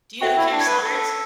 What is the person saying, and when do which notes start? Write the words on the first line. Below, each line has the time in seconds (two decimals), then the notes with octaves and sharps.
Do you know who Karen Slaughter is?
0.21 F#4 A4 E5 G5 C#6
0.36 E4
0.52 D4
0.60 C#5
0.67 B4
0.82 A4